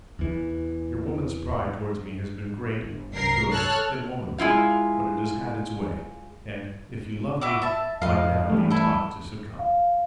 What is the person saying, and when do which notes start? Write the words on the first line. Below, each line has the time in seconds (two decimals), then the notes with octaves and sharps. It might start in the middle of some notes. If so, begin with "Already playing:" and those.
Your woman's pride towards me has been great and good and womanly; but it has had its way; and, if you love me, might now be taught to succumb.
0.19 E2 E3
2.78 G1
3.13 C2 A#4 C7
3.51 A4 C#5 A5 F6 F#6
4.38 G#3 E4 F4 F5
7.41 E4 F#4 D6
7.62 E5 A5
8.02 F2 D#5 F5
8.50 E3 G3 A3
8.70 E4 A4
9.59 F5